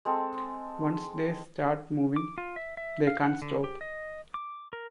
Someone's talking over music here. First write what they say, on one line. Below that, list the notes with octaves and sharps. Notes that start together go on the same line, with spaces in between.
Once they start moving, they can't stop!
G#3 C4 A4
D6
F4
E5
E5
F5
F#5
D3
G4
D#5
D6
A#4